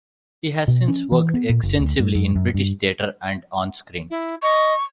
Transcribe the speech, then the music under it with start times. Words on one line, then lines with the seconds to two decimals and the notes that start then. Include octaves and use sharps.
He has since worked extensively in British theatre and on screen.
0.68 B2
0.88 C#4
1.12 E3
1.34 B3
1.49 A#2
1.63 F#1
1.80 D2
1.99 G2
2.15 F#2
2.36 F#2
2.54 G2
4.10 E4
4.42 D#5 C#6